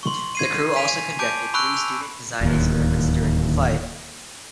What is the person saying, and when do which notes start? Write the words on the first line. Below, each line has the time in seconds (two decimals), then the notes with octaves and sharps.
The crew also conducted three student-designed experiments during the flight.
0.03 C6 C#6
0.35 G#6 C7 D#7
0.76 G#5 B6 D#7 F7
1.19 A5 D6 G6 D7
1.54 B5 C#6 E6 F#6 D7
1.74 F7
2.41 D1 D#2